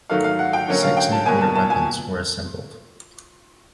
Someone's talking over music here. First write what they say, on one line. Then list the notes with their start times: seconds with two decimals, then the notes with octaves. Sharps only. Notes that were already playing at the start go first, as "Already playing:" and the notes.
Six nuclear weapons were assembled.
0.10 G#2 D#3 F#3 A3 F5
0.24 F5
0.39 F#5
0.53 G5
0.68 D3 F#3 A#3 C#4
0.83 F5
0.97 G5
1.12 A5
1.26 B2 G3 A#3 G#5
1.41 A5
1.55 A5
1.70 G#5